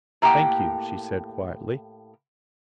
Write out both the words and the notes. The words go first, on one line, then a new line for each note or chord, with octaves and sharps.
"Thank you," she said quietly.
A2 A#3 G4 F#5 G5